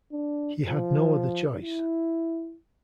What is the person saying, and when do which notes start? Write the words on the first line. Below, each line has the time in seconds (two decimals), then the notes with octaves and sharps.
He had no other choice.
0.12 D4
0.67 F3
1.62 E4